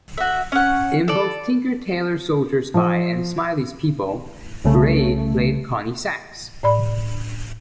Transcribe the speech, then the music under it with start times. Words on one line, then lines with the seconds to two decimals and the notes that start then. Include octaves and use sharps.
In both "Tinker Tailor Soldier Spy" and "Smiley's People" Reid played Connie Sachs.
0.18 F#4 E5
0.52 C#4 F#5
1.08 A4 D5
2.74 F3
4.64 C2 C#3 A3
6.63 A2 D5 B5